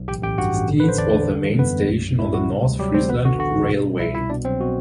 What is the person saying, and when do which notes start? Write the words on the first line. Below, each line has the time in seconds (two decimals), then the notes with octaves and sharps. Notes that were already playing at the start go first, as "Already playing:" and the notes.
Stiens was the main station on the North Friesland Railway.
Already playing: B1
0.08 A1 G4 G5
0.23 A1 G4 G5
0.38 G2 F#4 F#5
0.54 A1
0.68 D3
0.80 D3 B4
0.89 C5
0.98 E2 D4 D5
1.13 D3
1.29 G3
1.44 E3
1.58 F#2 B3 B4
1.74 F#2
1.88 B1
2.04 B1
2.19 A2 E4
2.34 G3 F#4
2.49 C3
2.64 D2
2.79 F#3 G3 G4
2.94 D2 C4 C5
3.09 A1 B3 B4
3.25 D3 F#4
3.39 D3 F#4
3.55 A1
3.70 B2
3.85 G3
3.99 C2 E4 E5
4.15 C2 E4 E5
4.30 B2 D4 D5
4.45 F#3 C4 C5
4.60 B2 F#4